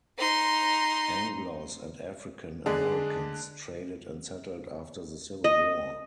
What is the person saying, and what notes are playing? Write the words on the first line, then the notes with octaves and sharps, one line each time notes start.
"Anglos" and African Americans traded and settled after the Civil War.
D#4 C6
D3 G#3 D4 G#4
D#5